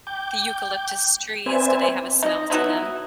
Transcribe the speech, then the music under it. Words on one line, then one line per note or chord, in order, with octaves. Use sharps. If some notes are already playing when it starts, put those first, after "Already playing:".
The eucalyptus trees, do they have a smell to them?
G5 D6 G6
C4 B4 C5 D5 E5 G#5
D#4 D#5
F#3 B3 D#4 E4